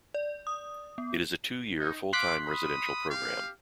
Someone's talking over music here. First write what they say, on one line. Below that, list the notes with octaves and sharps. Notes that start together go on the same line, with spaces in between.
It is a two-year, full-time residential programme.
D5
D#6
B3
D#4
F5 C6 D6 F#6 B6
B5 D#6
G4 F5